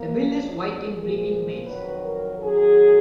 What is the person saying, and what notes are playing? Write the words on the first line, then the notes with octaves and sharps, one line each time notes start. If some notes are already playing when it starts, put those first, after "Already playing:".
The bill is white in breeding males.
Already playing: A#3
D#2 C#3 F3
A#2 F3 G#4
F2 D#3 F#3 B4
A#4
F#2 D#3 F#3 G#4